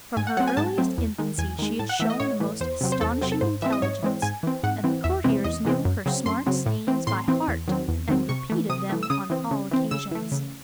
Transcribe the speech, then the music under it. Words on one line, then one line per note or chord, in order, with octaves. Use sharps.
From her earliest infancy she had shown the most astonishing intelligence, and the courtiers knew her smart sayings by heart, and repeated them on all occasions.
G#2 G#5
F#5
F#3 A3 C4 F#5
G#5
G#2 A5
F#3 A3 C4
E2
D#3 G#3
E2 G#5
D#3 G#3
A2 A5
F#5
E3 A3 E5
D#5
A2 C#5
E3 A3
E2 C5
C3 F#3 C4
C5
E2 A4
C3 F#3 C4
A4
G#2 C5
E3 G#3 C4 E5
D#5
G#2 C#5
E3 G#3 C4
G#2 G#5
E3 C4
G#2 F#5
E3 C4
E2 E5
C3 E3 G#3 C4
E2 D#5
C3 E3 G#3 C4
F#2
C#3 F#3 C4
F#2 C6
C#3 F#3 C4
A2
E3 C4
A2 C6
E3 C4
E2
D#3 F#3 C4
E2
D#3 F#3 C4
C3 C#6
E3 A3
C3 D#6
E3 A3
E6
C#3 D#6
E3 C4
C#3
E3 C4
C#3 E6
E3 A3
C#3